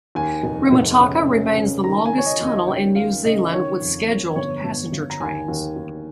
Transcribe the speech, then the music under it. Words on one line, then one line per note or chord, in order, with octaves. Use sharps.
Rimutaka remains the longest tunnel in New Zealand with scheduled passenger trains.
D#2 G#5
F1
F1
C#3
C#3
C#3
D#3 A#5
G#5
D#3
C#5
D#5
D#2
D#5
C#3 G5
D#2 F5
C#3 D#5
D#3 C#5
F2
F2
G1 C#5
G1
G1
A#5
D#2 G#5
D#2
D#2